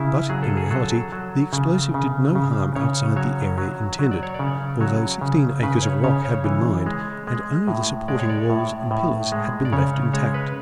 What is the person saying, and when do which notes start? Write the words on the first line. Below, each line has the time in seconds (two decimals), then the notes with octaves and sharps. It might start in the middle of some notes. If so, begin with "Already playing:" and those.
But, in reality, the explosive did no harm outside the area intended, although sixteen acres of rock had been mined and only the supporting walls and pillars had been left intact.
Already playing: C#3 E4
0.29 F#3 G#4
0.43 A4
0.57 G#4
0.71 F#3 A4
1.12 F#3
1.53 C#3
1.94 C#3
2.35 C#3
2.76 C#3 C#5
3.16 F#3 C#5
3.58 F#3
3.99 F#3
4.11 D5
4.23 C#5
4.34 D5
4.39 C#3
4.81 F#3 C#5
5.21 C#3
5.63 C#3 B4
5.83 C#5
6.04 C#3 C#5
6.25 C#5
6.44 E3
6.86 G#3
7.27 G#3
7.68 A2
8.08 G#3 D5
8.20 C#5
8.29 D5
8.50 A2
8.91 A2
9.32 G#3
9.65 D5
9.73 C#3 C#5
10.13 G#3 C#5
10.34 B4